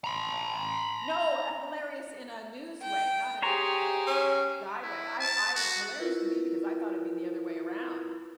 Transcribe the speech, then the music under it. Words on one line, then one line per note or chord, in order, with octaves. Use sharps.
No, eh, hilarious in a news way, not in a a eh, guy way, I I it's hilarious to me because I thought it'd be the other way around.
A#5 B5
G5
G4 G#4 C5 C#5 A#5
C#4
E4
A5
F#4
E4 F4 A#4 B4